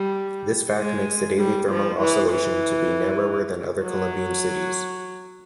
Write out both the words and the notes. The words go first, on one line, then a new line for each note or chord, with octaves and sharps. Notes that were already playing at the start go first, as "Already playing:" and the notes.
This fact makes the daily thermal oscillation to be narrower than other Colombian cities.
Already playing: G3
G#3
G3
F3
E3
E3
F#3